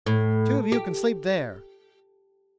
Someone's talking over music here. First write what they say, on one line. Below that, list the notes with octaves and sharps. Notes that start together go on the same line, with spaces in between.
"Two of you can sleep there."
A2
G4